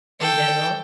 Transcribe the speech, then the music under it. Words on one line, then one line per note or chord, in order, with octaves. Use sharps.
in general,
A4 G5